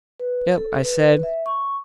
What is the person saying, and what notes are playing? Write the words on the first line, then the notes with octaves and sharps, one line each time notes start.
"Yep," I said.
B4
A4
B4
E5
C#6